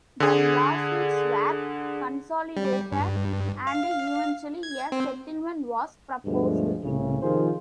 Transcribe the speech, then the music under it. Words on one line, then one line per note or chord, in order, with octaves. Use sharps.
The lawsuits were consolidated, and eventually a settlement was proposed.
D3 G#4
G3
G2
F5
G#6
C4
D2 G2 B2 F3 G#3 A3
C2 A2 C#3
C3 D#3 F3 F4 G#4 C5